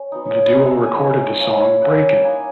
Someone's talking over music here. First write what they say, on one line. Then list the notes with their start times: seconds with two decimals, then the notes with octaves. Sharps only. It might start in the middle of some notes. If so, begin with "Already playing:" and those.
The duo recorded the song Breakin'...
Already playing: C#4
0.12 F#3 B3 D#4
0.46 B4
0.54 G#3 B3 D#4 C#5
0.65 E5
0.76 F#5
0.86 G#5
0.97 G#3 B3 D#4
1.39 A#3 C#4 E4
1.82 A#3 C#4 E4 F#5
2.24 A#3 D#4 G#5